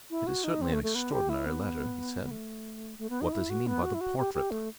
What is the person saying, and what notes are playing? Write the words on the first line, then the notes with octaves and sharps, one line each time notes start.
"It is certainly an extraordinary letter," he said, "what does he mean by the portrait?"
E4
F#4
D#4
C4
A3
A3
B3
G4
E4
B3
B3
A3
A3
B3
D#4
E4
F#4
B3
F#4
E4
F#4
G4
G4
A3